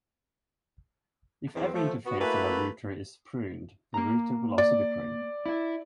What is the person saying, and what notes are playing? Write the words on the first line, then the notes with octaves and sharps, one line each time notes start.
If every interface on a router is pruned, the router will also be pruned.
E2 C4
F3 A3
B3 F#4
A3 A#3 E4 F#4 B4
A#3 A#5
D5
E4 E5